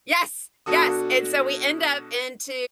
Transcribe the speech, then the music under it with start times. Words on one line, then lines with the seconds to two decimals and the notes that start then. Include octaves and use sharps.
Yes. Yes, and so we end up into
0.66 B2 D4 F#4 A4 D#6